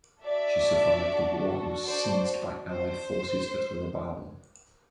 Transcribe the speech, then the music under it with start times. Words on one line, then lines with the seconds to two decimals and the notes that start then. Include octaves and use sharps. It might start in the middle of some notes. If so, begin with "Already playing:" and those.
She survived the war and was seized by allied forces at Rabaul.
0.22 D4 F#4 A4 D5 E5
1.87 C5 D5
2.69 C5